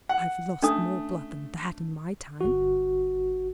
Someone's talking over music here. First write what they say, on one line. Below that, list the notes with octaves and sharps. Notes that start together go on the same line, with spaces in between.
I've lost more blood than that in my time!
F#5
A3 C#4 D4 D#6
G1 F#4